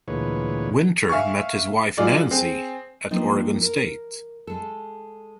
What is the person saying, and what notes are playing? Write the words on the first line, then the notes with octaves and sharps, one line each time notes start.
Winter met his wife Nancy at Oregon State.
D2 A#2 E3 G#3 B4 C#5
E5 F5 G#5 C#6
F#3 F4 G#4 D5 D#5
C4 G#4
F3 A#3 C4 D4 D#4
A#4
G#3 A4